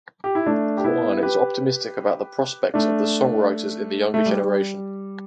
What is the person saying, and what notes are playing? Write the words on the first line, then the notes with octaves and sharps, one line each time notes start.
Kuan is optimistic about the prospects of the songwriters in the younger generation.
G4
E4
A3 D4
G4
B3 E4
G4 B4
A3 D4
A3
G3